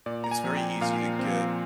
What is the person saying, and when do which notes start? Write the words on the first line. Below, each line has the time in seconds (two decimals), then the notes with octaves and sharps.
it's very easy to get
0.06 A#2 D5
0.24 A#5
0.31 G#5
0.44 F3 C4
0.57 G5
0.81 A#2 F5
1.19 F3 C4